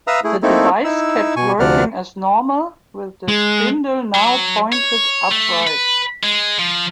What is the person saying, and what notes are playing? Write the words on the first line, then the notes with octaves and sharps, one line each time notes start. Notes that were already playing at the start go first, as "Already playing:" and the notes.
The device kept working as normal, with the spindle now pointed upright.
B4 E5 F5 A#5 D#6 E6
A3 E4 G#4
A3 A#3 C4 D#4 E4 A4
D#4 E4 E6
B2 G#5 C#6
D2 C3 F3 D5 F#5 F6
G#3
F#3
C#5
A3
B4
G#3
F3